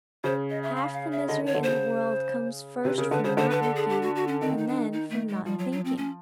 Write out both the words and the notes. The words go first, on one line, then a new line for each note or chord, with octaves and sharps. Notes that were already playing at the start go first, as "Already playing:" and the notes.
Half the misery in the world comes first from not looking, and then from not thinking.
C#3 C5
D#5
E5
F5
F5
E5
D3 D#5
D#3
C#5
D3
C#3 C5
C3 B4
C#3 A#4
D3 B4
C#3 C5
D3 C5
B4
A4
G#4
G4
F#4
F#4
C#4
D#3 C4
D#4
D4
D#4
A3
G#3
F3 G3
F#3
F#3
C4
C#4